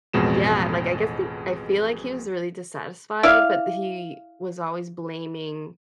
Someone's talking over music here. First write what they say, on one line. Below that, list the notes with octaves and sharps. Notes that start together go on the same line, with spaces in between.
yeah, like I guess think? I feel like he was really dissatisfied, but he was always blaming
A1 F2 B2 G#3 E7
E4 D5 F5